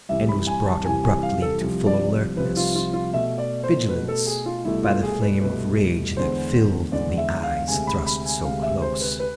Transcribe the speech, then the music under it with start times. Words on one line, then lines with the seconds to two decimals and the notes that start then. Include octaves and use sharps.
And was brought abruptly to full alertness, vigilance, by the flame of rage that filled the eyes thrust so close.
0.09 C2 C3 E3 E5
0.29 B5
0.47 G#5
0.66 A5
0.85 C2 C3 E3 G#5
1.04 G#5
1.23 F5
1.42 A4
1.61 C2 C3 F3
1.86 D5
2.37 C2 C3 F3 B4
2.57 F4
2.75 F4
2.93 F4
3.13 B2 A3 E5
3.38 D5
3.63 C5
3.89 B2 A3 B4
4.08 A4
4.27 G#4
4.46 F4
4.64 C2 B2 A3 E4
4.84 F4
5.03 G#4
5.21 B4
5.41 C2 B2 A3 B4
6.16 E2 D3 G#3 B3 C5
6.92 E2 D3 G#3 B3 D5
7.18 E5
7.43 F5
7.68 D2 C3 G#3 G#5
7.87 B5
8.06 B5
8.26 G#5
8.44 D2 C3 G#3 F5
8.63 E5
8.82 C5
9.01 B4
9.20 B4